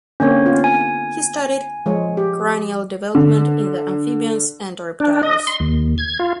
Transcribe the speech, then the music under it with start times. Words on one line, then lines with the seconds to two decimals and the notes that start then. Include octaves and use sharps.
He studied cranial development in the amphibians and reptiles.
0.20 D3 A#3 C4 C#4 C#5
0.46 B3 F4
0.64 G#5
1.86 F3 G#3 C#5
2.17 G4
3.15 D3
5.00 D4
5.23 D#5
5.47 C6
5.60 D#2
5.98 G#6
6.19 F4